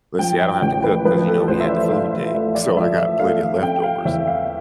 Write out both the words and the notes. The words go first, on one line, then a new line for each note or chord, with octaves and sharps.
Let's see I don't have to cook 'cause, you know, we had the food day, so I got plenty of leftovers,
F3 G5
G5
A1 G5
B4
F3 B4
A4
A1 C5
E5
D5
F3 F5
E5
A3 E5
D5
F3 E5
E5
A3 F5
F5
C4 G5
F5
E2 E5
F5